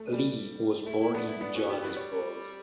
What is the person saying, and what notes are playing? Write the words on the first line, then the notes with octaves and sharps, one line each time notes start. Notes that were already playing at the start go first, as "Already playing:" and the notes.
Lee was born in Johannesburg.
Already playing: A3
G3
A3 E4
E4
B3 D4
E4
B3 D4
C#4 F#4
B3 G4
E3 G3 B4
C#5